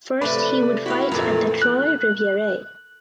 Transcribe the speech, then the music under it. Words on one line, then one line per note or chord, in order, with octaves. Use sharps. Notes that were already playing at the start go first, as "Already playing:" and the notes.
First he would fight at the Trois Rivieres.
C3 F3 A3 B4 D5 B5
C4 E4 F#4 F5 G5 B5
F2 A#2 E3 A3 A#3
F#6